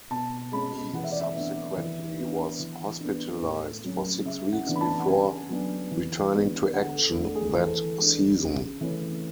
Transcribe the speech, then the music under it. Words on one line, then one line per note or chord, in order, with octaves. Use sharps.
He subsequently was hospitalized for six weeks before returning to action that season.
B2 A5
G#3 C#4 B5
E3 F#5
E5
D5
E5
B3 D4
E3
B3 D4
E3
B3 D4
A2
F#3 C#4
C#3 E5
F#5
E3 B3 D4
B5
A5
F#5
C#3 G#5
F#3 B3 D4
E3
G#3 B3 D4
D3 F#5
A4
A3 D4 A4
G#4
E3 A4
G#3 D4
C#3
E3 A3 C#4